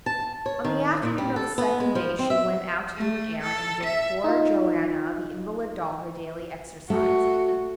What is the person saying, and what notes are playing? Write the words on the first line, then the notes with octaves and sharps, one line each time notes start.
On the afternoon of the second day, she went out to do an errand, and give poor Joanna, the invalid doll, her daily exercise.
A5
C#5
D#3
A#2
G3
A4
B3
G#3
F3
C4
E5
A3
A4
E5
D#4 F4
A3 F#4